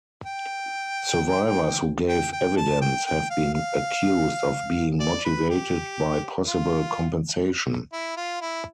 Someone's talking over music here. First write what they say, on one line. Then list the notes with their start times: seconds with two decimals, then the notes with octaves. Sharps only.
Survivors who gave evidence have been accused of being motivated by possible compensation.
0.26 G5
2.09 G5
2.33 G5
2.57 A5
2.82 G5
3.06 G5
3.30 F5
3.54 F5
5.00 D5
5.25 B4
5.50 G4
6.47 F4
7.93 E4
8.17 F4
8.41 E4